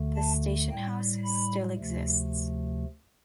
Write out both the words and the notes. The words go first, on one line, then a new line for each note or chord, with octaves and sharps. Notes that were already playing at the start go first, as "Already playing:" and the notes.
The station house still exists.
Already playing: D2 D3 A3
A5
A2 G3 G5
B5
D2 C3 F3 A3